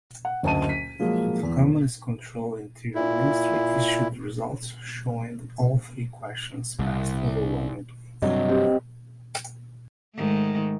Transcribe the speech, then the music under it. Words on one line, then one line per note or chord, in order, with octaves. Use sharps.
The communist-controlled Interior Ministry issued results showing that all three questions passed overwhelmingly.
F#5
F#1 D2 D#5 A5 D#7
B6
F3 F#3 G#3 A#3
E2
A#2 E4
C2
G2 C3 F#3 C#5 D#5
C4 G4
G#2 D#3 A3